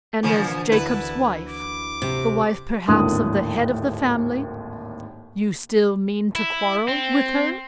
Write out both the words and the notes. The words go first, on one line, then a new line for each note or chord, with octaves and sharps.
"And as Jacob's wife--the wife perhaps of the head of the family--you still mean to quarrel with her?"
A#2 D3 E3 F3 A#3
D2 E4 B4 A5
D6
C3
G#1 D#2 A2 D3 D#6 F#6
E4
C4